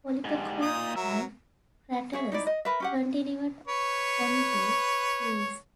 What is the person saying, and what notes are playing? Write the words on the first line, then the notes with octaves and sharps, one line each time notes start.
Polyperchon and Craterus continued onto Greece.
G#2 G3
A#2 D#4 D#6
F#3 A#4 E5
G#4 C#5 E5
D#4 E4 D5
D#5
A#4 B4 E5
C#4 G4 F#5
B4 C#5